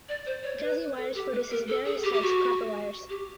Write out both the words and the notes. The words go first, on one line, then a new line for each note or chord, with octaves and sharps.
Gazi wires produces various types of copper wires.
D5
C5
C#5
B4
A4
G4
B4
A#4
A4
G#4
G4
G4
F#4
G4